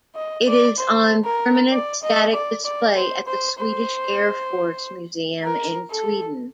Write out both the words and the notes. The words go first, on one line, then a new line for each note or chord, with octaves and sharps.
It is on permanent static display at the Swedish Air Force Museum in Sweden.
D#5
D5
C5
A#4
D5
D#5
D5
D5
C5
C5
C5
A#4
A4